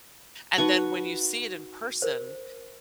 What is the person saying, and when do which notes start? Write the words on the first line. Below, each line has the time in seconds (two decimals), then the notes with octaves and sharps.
And then when you see it in person,
0.58 D#4 F#4 B4 C#6
2.02 A#4 C5